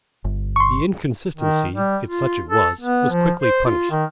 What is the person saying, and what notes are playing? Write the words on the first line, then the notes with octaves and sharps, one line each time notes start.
The inconsistency, if such it was, was quickly punished.
G1
C6 C#6
D#3
G3
F4
A4
B3
F3
C5
F4
D#3